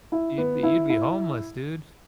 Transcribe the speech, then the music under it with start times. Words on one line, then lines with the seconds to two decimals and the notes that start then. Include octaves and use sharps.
You'd be you'd be homeless, dude.
0.12 E4
0.38 B3
0.63 E4
0.90 E4